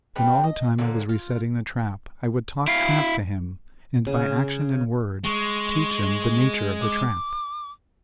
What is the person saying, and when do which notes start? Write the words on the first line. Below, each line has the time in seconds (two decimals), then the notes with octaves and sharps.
Then all the time I was resetting the trap I would talk trap to him, and by action and word teach him the nature of the trap.
0.15 G3 C4 D4 B4
0.44 D#5
0.78 D3 F#3 A#3 C4
1.09 F4
2.68 E4 F5
4.07 C#3
5.24 G#3 C#6
6.81 D6